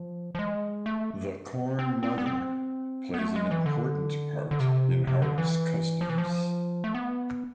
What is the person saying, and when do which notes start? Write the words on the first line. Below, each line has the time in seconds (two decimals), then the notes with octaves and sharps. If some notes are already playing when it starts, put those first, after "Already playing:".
The Corn Mother plays an important part in harvest customs.
Already playing: F3
0.35 F3
0.39 G#3
0.86 A3
1.79 C4
2.03 C4
2.18 B3
2.26 C4
3.14 B3
3.19 A3
3.36 G#3
3.51 E3
3.66 D3
4.51 D3
4.60 C3
5.07 C3
5.22 D3
5.38 E3
6.01 F3
6.09 E3
6.18 F3
6.84 A3
6.94 B3